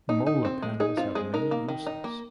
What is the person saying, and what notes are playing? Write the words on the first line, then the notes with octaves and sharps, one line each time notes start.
Mola panels have many uses.
D#4
D#4
C4
G#3
D#4 G#4
C4 F4
G#3 G#4
D#4 A#4
A#3
D#3
D#4
A#3